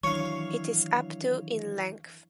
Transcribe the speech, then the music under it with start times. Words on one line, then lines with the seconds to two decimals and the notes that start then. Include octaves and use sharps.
It is up to in length.
0.03 D#3 E3 F#3 D4 C#5 F5 C#6 C#7